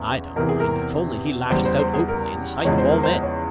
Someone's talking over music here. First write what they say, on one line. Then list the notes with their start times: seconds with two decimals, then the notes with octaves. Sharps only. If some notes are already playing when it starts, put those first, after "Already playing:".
"I don't mind if only he lashes out openly in the sight of all men."
Already playing: E2 C#3 E3
0.36 E2 C3 E3 A#4
0.49 G#4
0.60 A#4
1.50 E2 C#3 G3 C5
1.65 C5
1.79 C5
1.94 G#4
2.08 A#4
2.65 E2 C#3 F3 G#3 C#5
2.78 C5
2.91 A#4
3.03 C5
3.23 C#5